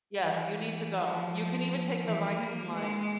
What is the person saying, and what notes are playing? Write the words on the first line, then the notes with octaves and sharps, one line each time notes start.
Yes, you need to go. You can even take the Viking Line
E3
F3
E3
A#3
G#3